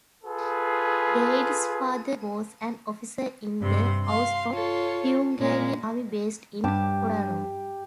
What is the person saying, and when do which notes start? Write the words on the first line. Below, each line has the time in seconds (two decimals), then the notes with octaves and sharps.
Geidl's father was an officer in the Austro-Hungarian Army based in Kotor.
0.24 F4 G#4 A4 B4
3.61 G2 C3 C6
4.03 F5 C6
4.52 F4 A4 C#5
5.38 A#2 G#3 A#3
6.64 G2 G4 A5